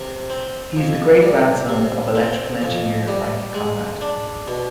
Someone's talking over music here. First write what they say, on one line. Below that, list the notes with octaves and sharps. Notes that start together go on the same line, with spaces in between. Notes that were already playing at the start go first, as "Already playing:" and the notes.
He is the great-grandson of electrical engineer Frank Conrad.
Already playing: C3
C4
F2
G3
C3
C4
F2
G3
G#3
D4
B2